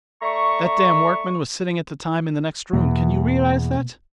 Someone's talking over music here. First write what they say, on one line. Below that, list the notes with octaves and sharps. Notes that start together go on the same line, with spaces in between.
That damned workman was sitting at the time in the next room--can you realise that?
A3 D5 E5 A#5 C#6
E2 B2 A#3